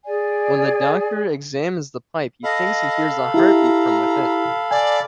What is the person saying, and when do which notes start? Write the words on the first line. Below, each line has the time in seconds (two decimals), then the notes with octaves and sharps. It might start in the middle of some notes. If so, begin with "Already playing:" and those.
When the Doctor examines the pipe, he thinks he hears a heartbeat from within.
0.05 G#4 D5 G#5
2.44 A4 D#5 F5 B5
3.34 E4 G4 A#5
4.71 D5 G#5